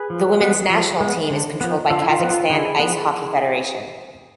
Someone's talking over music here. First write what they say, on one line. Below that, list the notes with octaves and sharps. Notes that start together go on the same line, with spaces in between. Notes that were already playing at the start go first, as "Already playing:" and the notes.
The women's national team is controlled by Kazakhstan Ice Hockey Federation.
Already playing: G#4 B4
F3
G#3 B3
F3
G#3 B3
D3
F3 B3
D3 F4 A4
E4
F4
F3 B3
F4
D3 E4 G#4
F3 B3